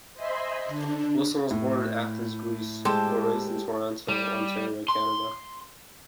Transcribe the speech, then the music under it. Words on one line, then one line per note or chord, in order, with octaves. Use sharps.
Wilson was born in Athens, Greece, but raised in Toronto, Ontario, Canada.
C5 D#5 E5 G#5 B5 C6
D3 D4
A2
G#3 G4 A4 C5 A5
G3
C6